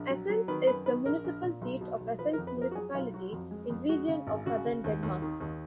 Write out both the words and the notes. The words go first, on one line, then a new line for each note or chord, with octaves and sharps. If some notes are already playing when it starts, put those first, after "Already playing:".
Assens is the municipal seat of Assens Municipality in Region of Southern Denmark.
Already playing: A#1
F#3
F#3
D#3 B4
F#2 B4
D#3 B4
A#1 A#4
A#1
A#2
B1
B2
B1
F3 B4
A#4
F2
B4
F3 A#4
F#4
F#3 G#4
B1 F4
F#3 F#4
F2
G#3
F2
G#3 F#4
C#3
G#1
C#3 F#4
C#3
D#2
D#2
D#3
D#2